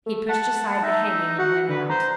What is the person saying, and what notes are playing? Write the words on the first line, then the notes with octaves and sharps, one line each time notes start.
He pushed aside the hanging and went out.
A3
F#5 A5
D#4 E5
F#4 F#5
D3 B4
C5 A#5